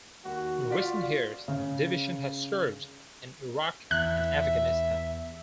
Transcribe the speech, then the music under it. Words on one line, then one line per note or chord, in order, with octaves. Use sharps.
In recent years, the division has served in Iraq and Afghanistan.
D#2 F#4
F4 F#4 D5 B6
C#3
E2 E5 F#6